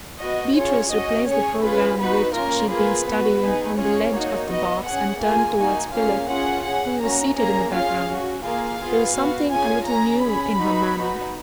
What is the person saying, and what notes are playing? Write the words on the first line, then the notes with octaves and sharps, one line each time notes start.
Beatrice replaced the programme which she had been studying, on the ledge of the box, and turned towards Philip, who was seated in the background. There was something a little new in her manner.
B3 F#4 D#5
C#4 F4 G#4 C#5
C#4 F#4 D#5
C#4 G#4 C#5
C#4 F4 G#4 B4
B3 D#4 F#4 B4
A#3 C#4 F4 A#4
A#3 F4 G#4 B4
B3 F#4
B3 D#4 G#4
C#4 F4 G#4 C#5
A#3 D#4 F#4
B3 F#4 D#5
C#4 G#4 F#5
A#3 F4 G#4 G#5
A#3 D#4 F#4 G#5
A#3 C#4 F4 G#4 F5
C#4 F4 G#4 F#5
C#4 G#4 F#5
A#3 C#4 F#4 A#5
A#3 C#4 G#4 A#5
C#4 F4 G#4 F5
C#4 F#4
A#3 F4 G#4 F5
B3 F4 G#4
B3 F#4
C#4 F4 G#4 G#5
C#4 G#4 A#5
C#4 G#4 B5
B3 D#4 F#4
B3 D#4 F#4